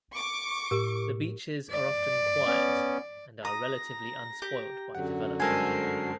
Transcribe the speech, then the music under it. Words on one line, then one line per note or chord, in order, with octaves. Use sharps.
The beaches are often quiet and are relatively unspoilt by development.
C#6 D6
A2 G4 A#4
D5
B3 C#4
A#5 D#6 A#6
G4
F#2 D3 F#3 F#5
G2 G#3 A4 A#4 C5 G#5 C7